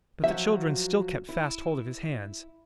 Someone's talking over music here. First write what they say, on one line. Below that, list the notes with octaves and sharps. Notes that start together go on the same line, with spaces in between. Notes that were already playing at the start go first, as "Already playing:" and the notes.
But the children still kept fast hold of his hands.
F3 F#3 F#4 E5
E4